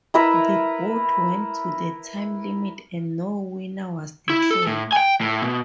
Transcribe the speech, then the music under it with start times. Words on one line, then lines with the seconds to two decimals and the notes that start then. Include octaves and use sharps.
The bout went to the time limit and no winner was declared.
0.14 E4 A#4 B4 E5
4.30 E4
4.51 A4
4.67 A2
4.92 G5 G#5
5.21 A2
5.42 B2